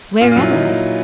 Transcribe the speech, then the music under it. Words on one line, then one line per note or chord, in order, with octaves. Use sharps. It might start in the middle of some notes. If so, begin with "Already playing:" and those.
"Where am I?"
A#2 F4
F4
F#3 E4
F#3 D#4